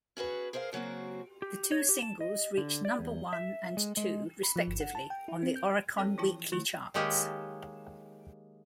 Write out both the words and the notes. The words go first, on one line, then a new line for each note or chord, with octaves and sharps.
The two singles reached number one and two respectively on the Oricon Weekly Charts.
C#4 F#4 G#4 B4
G#4 A#4 C5 D5 F5
C#3 F#3 A#3 C4 F#4
G4
C#5
G4
A5
D#5
D3
D5
E2
E5
G#3
G#3
B5
F3
G1
F#5
A5
G5
E4
C4
G6
C4 G4 A4 C#5 G5
E3 F3 E4 F4 G5 A5
D#3 A3 E4
D#3 F#3 G#3 A#3 G4